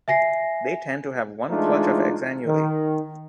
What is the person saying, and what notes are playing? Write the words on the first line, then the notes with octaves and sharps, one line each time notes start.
They tend to have one clutch of eggs annually.
E5 G#5 A#6 C7
E3 G#3 A3 D4 D#4 F4
D#3